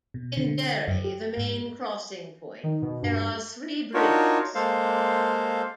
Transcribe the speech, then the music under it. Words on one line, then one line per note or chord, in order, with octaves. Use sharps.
In Derry, the main crossing point, there are three bridges.
B2
D3
G5
F#2
G4
G#2
D#3
B2
G2
D4 D#4 F4 F#4 A#4 C#5
G#3 A#3 A4 C5 F5